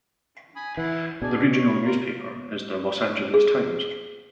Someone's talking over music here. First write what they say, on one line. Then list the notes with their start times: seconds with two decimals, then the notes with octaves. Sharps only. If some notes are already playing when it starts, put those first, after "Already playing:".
The regional newspaper is the "Los Angeles Times".
0.56 G#5 B5 D#6
0.77 E3 E4 F#5
1.22 B2 D4 G#4
1.52 C#5
1.84 F4 A#4
3.34 G#4